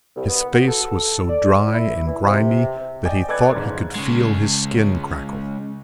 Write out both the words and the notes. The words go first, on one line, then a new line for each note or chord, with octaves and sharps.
His face was so dry and grimy that he thought he could feel his skin crackle.
C2
B3
F#4
A4
D5
E4
E3
C3
D5 D#5 G5 G#5
A4 B4 D5 F#6 G#6
F#1 G#2
C#3 G#3